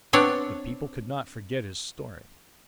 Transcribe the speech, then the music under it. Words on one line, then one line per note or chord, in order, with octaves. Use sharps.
But people could not forget his story.
B3 C4 D4 C#5 D5